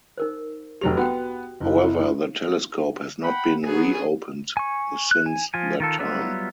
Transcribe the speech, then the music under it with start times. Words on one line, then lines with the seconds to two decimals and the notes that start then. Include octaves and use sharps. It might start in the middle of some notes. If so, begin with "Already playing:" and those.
However the telescope has not been reopened since that time.
0.18 D#4 A#4 C5
0.81 F1 F#3 G4 F7
0.97 B3 F#4 F#5 G5
1.60 F#1 E4
3.23 F#5 G5 B5
3.65 F#3 B3 G#4
4.57 G#5 C#6
5.11 F#6
5.26 G#5
5.54 F3 F4 G#5
5.80 D#3 F4 A4
5.99 F#3 G3 B3 F4 E5